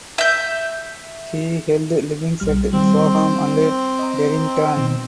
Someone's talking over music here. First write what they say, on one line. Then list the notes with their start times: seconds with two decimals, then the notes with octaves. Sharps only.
He held livings at Soham and Terrington.
0.18 E5 G6
2.40 B1 G3 F6
2.73 D#3 G3 C4
3.99 D#5 A#5
4.77 B2 D#3